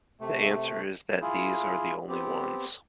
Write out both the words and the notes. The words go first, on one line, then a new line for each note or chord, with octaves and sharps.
The answer is that these are the only ones.
C3 A3
E4 F4 G#4
B3 C4 G4